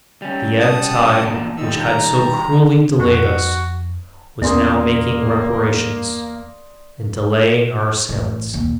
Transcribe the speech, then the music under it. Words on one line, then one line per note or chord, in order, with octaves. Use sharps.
The ebb-tide, which had so cruelly delayed us, was now making reparation and delaying our assailants.
G3 C#4
F#5 A5 D#6
E2 A#2 D4
D#3 G3 E6
A#5
F2 F#4
E2 A#3 B3 C#4 A#4 D5 C6 D#6
A1
D#2 A#2